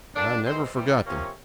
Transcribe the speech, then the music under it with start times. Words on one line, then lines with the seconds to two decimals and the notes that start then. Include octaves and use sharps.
I never forgot them.
0.15 A#2 G3 A#3 D4
0.45 A2 E3 G#3 C4 C5
0.75 C3 E3 G3
1.05 C3 F3 A#3 C#4